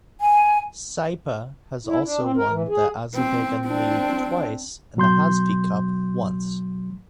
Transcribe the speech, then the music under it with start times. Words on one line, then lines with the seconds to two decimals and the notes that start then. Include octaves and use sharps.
Saipa has also won the Azadegan League twice and the Hazfi Cup once.
0.21 G#5
1.87 E4
2.05 D4
2.21 C4
2.37 A#4
2.50 E3
2.69 G#4
3.14 C4
3.66 C4 D4
4.97 B2 F#3 C6 G6